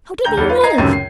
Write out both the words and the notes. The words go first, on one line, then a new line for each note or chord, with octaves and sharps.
How do they live?
D2 G5 A#5 G6 G7
E2 G3 D#4 C#5
F4 B4 F5
D#5 A#5 G#6 C7
C#2 F#2 A2 C3 D#3 F#3
C7